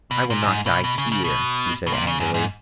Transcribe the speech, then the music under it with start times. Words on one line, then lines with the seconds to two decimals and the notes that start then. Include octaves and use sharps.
"I will not die HERE," he said angrily.
0.11 B2
0.30 A#2
0.42 F#2
0.47 G#2
0.66 B2
0.84 B2
0.98 C#3
1.12 C#3
1.24 B2
1.87 B2
1.93 A#2
2.07 C#3
2.20 F#2
2.34 G#2